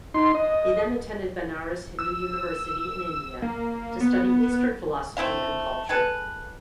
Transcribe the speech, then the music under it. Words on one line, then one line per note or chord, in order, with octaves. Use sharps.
He then attended Banaras Hindu University in India, to study Eastern philosophy and culture.
D#4 C6
D#5
E6
A#3
B3
A3 C4 E4 F5
G#4 A4 B4